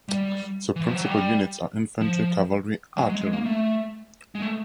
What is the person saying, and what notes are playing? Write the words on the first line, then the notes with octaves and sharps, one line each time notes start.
The principal units are infantry, cavalry, artillery.
G3
E3
F3
F#3
G3
F3
F#3
G#3
G#3
A#3
A3
G#3
A3